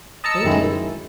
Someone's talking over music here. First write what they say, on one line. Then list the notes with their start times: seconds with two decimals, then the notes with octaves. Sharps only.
"They did."
0.24 D#5 A5 A#5 E6 C#7
0.44 F#2 D#3 G#3 E4